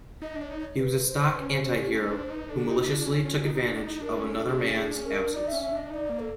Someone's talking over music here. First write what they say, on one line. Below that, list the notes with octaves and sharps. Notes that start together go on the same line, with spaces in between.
He was a stock anti-hero who maliciously took advantage of another man's absence.
D#4 D#5
D4
C#5
D#4
C#5
B4
C5
D4
C#4 B4
C5
C#4 C5
G4
C#4 A4
D4 B4
C5
D#4 B4
D4 A4
D#4 G4
F4
D4 E4
C#4 F4 F#4
C#4
D#4
D#4
D4
D#4 E4
D4 A#4
C#4 A4 A#4
D4
D4 G#4
C#4
D4 G#4
C#4
A#4
D4
D#4 D5
E5
C#4
E5
D4 D#5
D#4 D5 D#5
A#3
A4